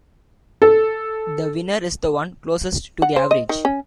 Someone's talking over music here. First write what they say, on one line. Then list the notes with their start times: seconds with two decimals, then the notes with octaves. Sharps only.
The winner is the one closest to the average.
0.62 A4
3.02 F#5
3.16 C5
3.31 D#5
3.49 D#3
3.65 C#4